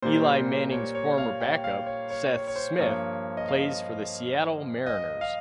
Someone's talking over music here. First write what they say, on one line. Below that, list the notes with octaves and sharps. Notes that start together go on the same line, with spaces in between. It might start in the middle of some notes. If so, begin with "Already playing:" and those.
Eli Manning's former backup, Seth Smith, plays for the Seattle Mariners.
A#2 G3 A#3 C5
C#5
C#5
F5
G5
F5
C#5
C#5
C#5
C#5
C5
G2 F3 A#3 C#5
D#5
F5
D#5
F5